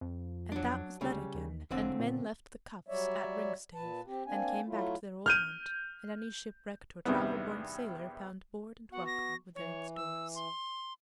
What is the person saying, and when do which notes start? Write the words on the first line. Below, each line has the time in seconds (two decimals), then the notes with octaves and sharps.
And that was let again, and men left the Choughs at Ringstave and came back to their old haunt, and any shipwrecked or travel-worn sailor found board and welcome within its doors.
0.01 F2
0.52 F#3 D4
1.01 D2 C#3 G3
1.35 D#2
1.71 F1 C#2 D3 C4
1.99 A#2
2.88 F#3 G3 C#5 D5 E5
3.75 A#2 B4 A5
4.07 C4 G4
4.26 A#3 C4 D4 G#5
4.67 F#3 A3 E4 F4
5.26 F6 G6 D#7
7.05 E2 G2 C3 D#3 G3 B3
8.92 B3 F#4 F#5
9.07 A#6
9.55 E3 C#5
9.96 E6
10.35 C6